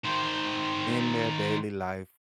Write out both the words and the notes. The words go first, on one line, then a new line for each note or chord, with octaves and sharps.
in their daily life.
D#3 C5